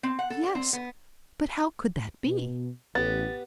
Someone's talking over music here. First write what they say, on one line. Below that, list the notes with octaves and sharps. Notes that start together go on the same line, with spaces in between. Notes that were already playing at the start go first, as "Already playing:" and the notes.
"Yes, but how could that be?"
C4
F#5
A4
D4
C4
B3
B2
A1 B3 G4 A6